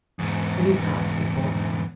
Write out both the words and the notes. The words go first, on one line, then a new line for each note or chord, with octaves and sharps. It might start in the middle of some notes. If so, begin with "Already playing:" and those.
It is hard to be poor.
E2 G#2